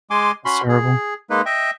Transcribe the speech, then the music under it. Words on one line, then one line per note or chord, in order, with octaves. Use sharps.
That's terrible.
G#3 G#5 C6 D6
C#4 F#4 B5 C6
G#4
G#3 A#3 D#4 B4
D#5 E5 G5